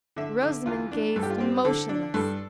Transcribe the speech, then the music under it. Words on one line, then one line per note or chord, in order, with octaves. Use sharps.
Rosamond gazed motionless.
D3 E5
D3
E2 F4
D4
G2 A4
G4
F4
C4 G4
D3 A4
D4
G2 A4